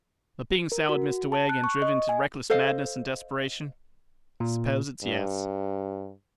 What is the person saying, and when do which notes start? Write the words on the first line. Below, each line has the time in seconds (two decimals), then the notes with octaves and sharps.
But being soured, Mr Wegg, and driven to reckless madness and desperation, I suppose it's Yes.'
0.72 A#4
0.89 F#4
1.32 A5
1.49 F#6
1.64 C#6
1.82 D#5
2.09 G#5
2.50 A4 C5 D#5 F5
4.40 A#2
5.04 G2